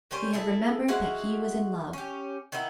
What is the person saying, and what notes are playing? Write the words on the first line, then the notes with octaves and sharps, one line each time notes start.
He had remembered that he was in love.
D#3 G3 C#4 C5
E4 G#4 A4
G#3 E4 F#4 F5
C#4 G4
D#3 B3 D#4 E4